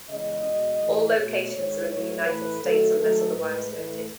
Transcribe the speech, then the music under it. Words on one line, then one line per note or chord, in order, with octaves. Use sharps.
All locations are in the United States unless otherwise noted.
E2 C#3 G#3 D#5
B2 G#3
A2 E3 A3
B2 A3 C#5
G#2 D#3 G#3 C#5
G#2 F#3 A3 C#5
A2 E3 A3 B4
F#2 D#3 F#3 A3 A4
G#2 D#3 F#3 A3 A4
A2 G#3 B4
A2 E3 A3 B4